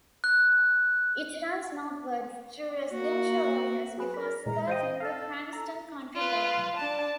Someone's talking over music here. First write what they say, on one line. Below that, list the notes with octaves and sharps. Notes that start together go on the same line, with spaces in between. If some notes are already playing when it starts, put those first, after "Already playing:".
It runs northward through residential areas before skirting the Cranston Country Club.
F#6
A#3 F#4
F#3 G#4 B4
A#4 B5
A#2 E3 G#3 A#5
C5 D#5 G5 D#6
A4 F5 A5
A#5
F4 B4
D4 A5